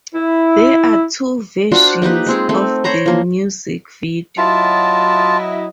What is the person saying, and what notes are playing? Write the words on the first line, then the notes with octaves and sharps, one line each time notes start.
There are two versions of the music video.
E4
D4 F4 F#4 C5
A#3 D#4 G4 B4
G#3 C4 G#4
A3 C4
C5 C#5 A#5 B5
F3 A#3
F#3 E4 F4 D#5 A5